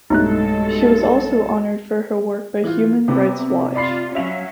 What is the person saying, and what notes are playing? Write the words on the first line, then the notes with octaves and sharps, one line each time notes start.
She was also honoured for her work by Human Rights Watch.
B1 G2 G#3 A3 D#4 A4 A#5 F#6
E3 F4
C3 B3 C4 D6
F4 D5 B5 C7
F#3 C#4 E5 F5 F7